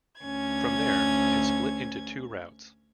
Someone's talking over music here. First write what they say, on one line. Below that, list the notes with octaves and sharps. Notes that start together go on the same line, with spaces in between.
From there, it split into two routes.
D2 C#4 G#6